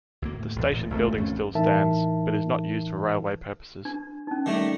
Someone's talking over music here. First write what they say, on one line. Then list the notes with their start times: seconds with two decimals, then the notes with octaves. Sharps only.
The station building still stands, but is not used for railway purposes.
0.22 D2 A#3
0.34 A2
0.56 A#1 E2 G2
0.73 A1 A2
0.90 F#1 B1 A2 A3
1.18 G#1 F2 A3 C#4
1.55 A2 E3 D#4 A#4 E5 A5
3.85 D4
4.27 C#4 D#4
4.46 D#3 G3 A3